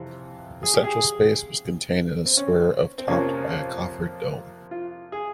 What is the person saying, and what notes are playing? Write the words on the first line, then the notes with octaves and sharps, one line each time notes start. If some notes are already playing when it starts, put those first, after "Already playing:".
The central space was contained in a square of topped by a coffered dome.
Already playing: F2 C3 E3
G#4
G4
G#4
C4
C#4
C4
C4
F2 C3 F3 A#3 C#4
F4
G#4